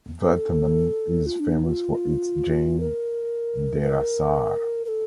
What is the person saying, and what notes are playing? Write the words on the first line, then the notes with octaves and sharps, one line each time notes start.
Vataman is famous for its Jain "derasar".
A4
F4
D4
D#4
F4
A#4
A#4
A#4
A4